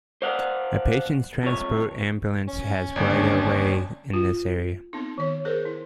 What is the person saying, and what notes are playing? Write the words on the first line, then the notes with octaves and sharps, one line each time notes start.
A patient transport ambulance has right of way in this area.
C5 D5 F5 F#5
F2 C#5
C#4
G1 D#2 D4 D5
F4
B3 C4 D#4
D#3 C#5
G#4 A#4 C5
E4